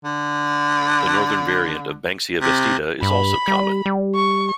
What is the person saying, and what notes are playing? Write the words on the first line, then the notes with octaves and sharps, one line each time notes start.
The northern variant of "Banksia vestita" is also common.
D3
C3
G2 B5
G3
G3
C#6